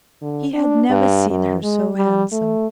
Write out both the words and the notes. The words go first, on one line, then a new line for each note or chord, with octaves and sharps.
He had never seen her so handsome.
D3
D4
G2
F#2
G#3
G3
A3